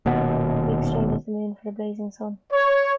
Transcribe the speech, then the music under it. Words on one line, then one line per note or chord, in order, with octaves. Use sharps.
He exchanges the moon for the blazing sun.
D#1 D#2 B2 B3
C#5